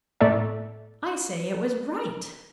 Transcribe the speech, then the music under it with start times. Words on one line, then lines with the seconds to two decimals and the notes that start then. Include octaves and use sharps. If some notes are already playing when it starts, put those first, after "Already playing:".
'I say it was right.
0.21 A2 A3 A4 D5 E5